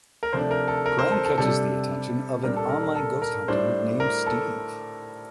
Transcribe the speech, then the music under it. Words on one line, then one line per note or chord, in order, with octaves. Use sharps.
Graham catches the attention of an online ghost hunter named Steve.
A#4
C3 F3 A3 D4 C5
A#4
A4
A#4
C5
A4
A4
C3 G3 D4 A4
A#2 G3 D4 A#4
A4
A#4
A#4
A4
A#4
A2 G3 D4 C5
A#4
A4